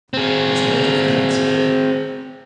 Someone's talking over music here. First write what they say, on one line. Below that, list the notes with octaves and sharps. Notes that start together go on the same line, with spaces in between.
It is native to Mexico.
C4 G#4